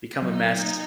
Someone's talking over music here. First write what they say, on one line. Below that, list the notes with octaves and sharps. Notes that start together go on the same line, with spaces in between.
become a mess.
F#3 D#4